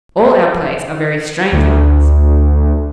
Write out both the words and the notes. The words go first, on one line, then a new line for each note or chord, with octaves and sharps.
All our plays are very strange ones.
D2